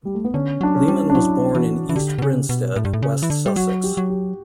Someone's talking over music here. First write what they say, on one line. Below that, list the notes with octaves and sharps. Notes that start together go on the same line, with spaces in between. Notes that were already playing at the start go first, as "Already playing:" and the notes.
Leman was born in East Grinstead, West Sussex.
G3
A3
B3
D3 C#4
F#3 D4
C#4
G3
D4
F#3 E4
E3 F#4
E3
D3 G4
B2
C#3
B2
A2
G2
A2
C#3
E3
D3
G3
F#3 F#4
G4
F#3
G4